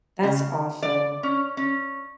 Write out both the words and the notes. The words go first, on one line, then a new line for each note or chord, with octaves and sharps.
That's awful.
C#3
D5
C#4
C#4